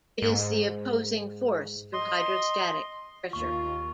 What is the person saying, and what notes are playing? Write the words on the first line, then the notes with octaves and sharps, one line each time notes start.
It is the opposing force to hydrostatic pressure.
G#2
D#5 C6
D#2 F4 C#6